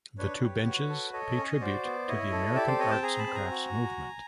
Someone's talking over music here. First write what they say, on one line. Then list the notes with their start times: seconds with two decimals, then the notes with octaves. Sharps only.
The two benches pay tribute to the American Arts and Crafts Movement.
0.18 D4 B4 C#5
0.42 G4
0.66 F#4
0.89 A4
1.13 A4 C#5 D#5
1.37 C#4
1.60 F#4 C5 D5
1.84 B3
2.08 E4 C#5 D#5
2.32 A4
2.55 G4 D5 E5
2.67 C5 D5
2.79 C4 C#5 D#5
2.91 G5 A5
3.03 G#4 G#5 A#5
3.19 A5 B5
3.26 C4
3.34 G#5 A#5
3.51 F#4